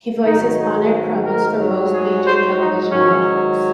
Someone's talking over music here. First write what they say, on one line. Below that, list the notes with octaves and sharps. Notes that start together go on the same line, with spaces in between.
He voices on-air promos for most Major Television networks.
G#2 D#3 F#3 D#4
D#4
A#4
G#2 F#3
G#4
C5
D#4
G#2 D#3 F#3 C#4